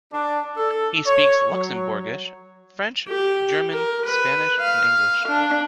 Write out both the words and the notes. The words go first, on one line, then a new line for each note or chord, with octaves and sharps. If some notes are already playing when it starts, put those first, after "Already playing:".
He speaks Luxembourgish, French, German, Spanish and English.
D4
A4
C#5
F#3
G4
A#4
B4
F5
D4